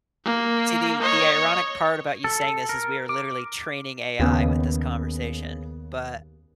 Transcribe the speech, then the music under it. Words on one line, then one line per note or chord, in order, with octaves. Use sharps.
See, the the ironic part about you saying this is we are literally training AI with this conversation. But
A#3
C#5 D#5
A4
A#4
D6
D#2 C#3 B3